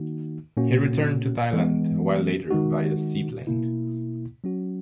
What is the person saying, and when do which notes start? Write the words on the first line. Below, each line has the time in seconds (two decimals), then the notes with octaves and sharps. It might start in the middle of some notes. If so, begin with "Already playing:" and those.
He returned to Thailand a while later via seaplane.
Already playing: D#3 A#3 D#4 F#4
0.57 A#2 A#3 C#4 F#4
1.53 E3 G#3 B3
2.50 D#3 G#3 D#4 F#4
3.47 B2 A#3 E4
4.44 F#3 C#4 F#4